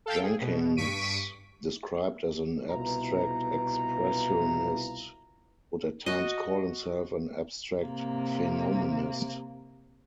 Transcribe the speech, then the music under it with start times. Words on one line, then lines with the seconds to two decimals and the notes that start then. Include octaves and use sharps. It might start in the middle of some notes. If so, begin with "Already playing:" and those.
Jenkins, described as an abstract expressionist, would at times call himself an abstract phenomenist.
0.06 A4 F5 G5
0.22 G#4
0.42 B2
0.77 G2 C#6 B6 D7 D#7
2.71 C2 B2 E4 F4 B4 A#5
6.06 F#4 D#5
7.82 C3 A#3